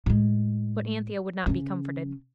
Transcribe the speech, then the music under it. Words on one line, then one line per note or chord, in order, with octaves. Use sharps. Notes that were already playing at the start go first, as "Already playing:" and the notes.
But Anthea would not be comforted.
A2 G#3
C#3 C#4